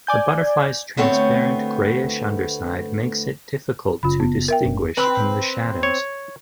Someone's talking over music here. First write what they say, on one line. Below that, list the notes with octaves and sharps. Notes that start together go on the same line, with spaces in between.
The butterflies transparent greyish underside makes it difficult to distinguish in the shadows.
D5 G#5 G6
D2 A3 B3 C4 C#5
F#1 C#3 F4 B5
B3
A#4 E5 G5
F#1 C#4 D4
C4 B4
C#5